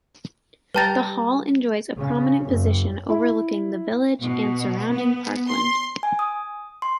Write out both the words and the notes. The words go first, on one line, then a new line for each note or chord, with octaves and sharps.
The hall enjoys a prominent position overlooking the village and surrounding parkland.
G3 B4 G5 A5 A#5 A6
C#3
F#1
E4
B2
B3
C6
G#5
D#6
C6